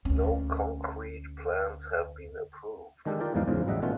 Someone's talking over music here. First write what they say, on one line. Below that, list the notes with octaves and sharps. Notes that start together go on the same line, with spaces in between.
No concrete plans have been approved.
D2 C#4
D#3 G#3 D4 G4 A4
F4 G4 A#4 D5 F5 G5
E2 G#2 G3 G#3 D#4 F5
E2 G#2 C#3 F4
A1 F#3 G3 D#5 E5 F#5
B2 D#3 A3 C#4 F4 F#4